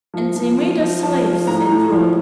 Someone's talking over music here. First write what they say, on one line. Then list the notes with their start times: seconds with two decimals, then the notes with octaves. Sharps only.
"And they made us slaves," said Trot.
0.14 F3
0.36 F3
0.58 F3
0.80 F3
1.03 F3 A5
1.25 F3
1.47 A2 A#5
1.70 A2
1.92 F3